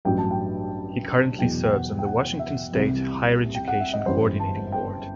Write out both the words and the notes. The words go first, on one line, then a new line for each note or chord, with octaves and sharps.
He currently serves on the Washington State Higher Education Coordinating Board.
A1 G2 F#3 G5
A5
G5
E2 B2 F#3 G5
G5
F#5
G5
F#5
E5
C2 C3 E3 G3
G5
F#5
E5
D#5
G1 F#2 E3 G3 C5
A5
G5